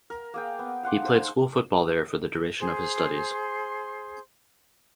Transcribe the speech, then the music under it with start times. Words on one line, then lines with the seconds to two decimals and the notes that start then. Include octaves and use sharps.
He played school football there for the duration of his studies.
0.10 A#4
0.34 A#3 G#4 G5
0.59 B3
0.83 F5 F#5 C6 D6
1.02 D#4 C5
1.17 C5
2.61 G#4 C5 C6